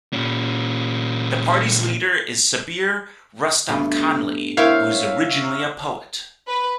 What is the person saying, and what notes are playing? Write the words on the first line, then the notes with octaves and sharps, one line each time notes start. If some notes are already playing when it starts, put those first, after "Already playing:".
The party's leader is Sabir Rustamkhanli, who is originally a poet.
A#2 C#4
G2 B2 A3
E4 A#4 C5 C#5 E5 F5 G5
B4